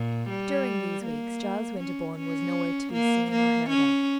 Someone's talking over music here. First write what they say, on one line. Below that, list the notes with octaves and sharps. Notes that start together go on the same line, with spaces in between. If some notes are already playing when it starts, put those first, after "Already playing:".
During these weeks Giles Winterborne was nowhere to be seen or heard of.
Already playing: A#2
G3
A#3
C#4
C#4
A#3
A#3
C#4